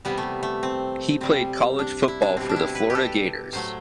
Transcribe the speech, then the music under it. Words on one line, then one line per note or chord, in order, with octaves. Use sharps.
He played college football for the Florida Gators.
C3 E3 G3 B3
A3
A3
C4
C3 G3 C4
D4
E4
D4
B2 G3 C4
D4
E4
B4
G4
A4
A2 F#3 A3 C5